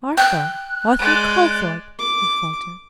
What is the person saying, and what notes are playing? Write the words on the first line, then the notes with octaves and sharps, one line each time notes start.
"Arthur-- Arthur Calthorpe!" he faltered.
G5 F#6
G#3 D5
D6